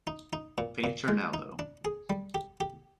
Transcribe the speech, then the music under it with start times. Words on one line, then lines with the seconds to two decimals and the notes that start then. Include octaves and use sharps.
Fainter now, though.
0.07 D#4
0.33 D#4
0.58 A#2
0.84 A#2
1.08 G#3
1.34 D#4
1.59 D4
1.85 G#4
2.10 G3
2.34 G4
2.60 G4